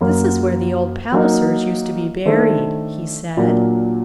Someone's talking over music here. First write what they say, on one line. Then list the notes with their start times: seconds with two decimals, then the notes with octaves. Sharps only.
"This is where the old Pallisers used to be buried," he said.
0.01 F#2 F#3 A#3
1.12 F#3 A#3 D#4
2.25 D#3 A3 D4 A4 C5
3.37 A#2 F#3 A#3 D4